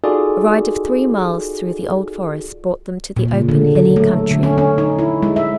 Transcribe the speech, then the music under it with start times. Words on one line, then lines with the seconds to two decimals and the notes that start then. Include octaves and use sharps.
A ride of three miles through the old forest brought them to the open, hilly country.
0.04 D#4 F4 F#4 G#4 A4 D5
3.16 A#2
3.33 C#3
3.49 D3
3.75 F#3
3.96 A3
4.31 D3
4.43 C#4
4.58 C#4
4.78 D#4
4.99 E4
5.22 G#3
5.36 E5